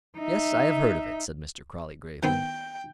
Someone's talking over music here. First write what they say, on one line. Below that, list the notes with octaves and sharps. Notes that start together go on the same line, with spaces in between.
"Yes; I have heard of it," said Mr. Crawley, gravely.
D#4 E5
D#3 B3 C4 G5